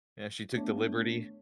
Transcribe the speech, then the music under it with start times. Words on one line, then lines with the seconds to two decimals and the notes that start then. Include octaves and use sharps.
Yeah, she took the liberty.
0.56 A3 B3 D4 C#5